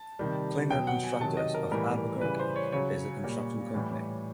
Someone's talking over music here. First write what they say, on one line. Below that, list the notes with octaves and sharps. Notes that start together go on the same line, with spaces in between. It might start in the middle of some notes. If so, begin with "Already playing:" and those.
Klinger Constructors of Albuquerque is the construction company.
Already playing: A5
C3 D#3 G3
B2 F#3 G5
F#5
G#5
C3 D#3 F#3 A5
D#5
A#4
A2 E3 G3 A#4
C#3 E3 G3 B4
C5
C#5
C#3 F#3 C#5
A#2 G3
A2 E3 G3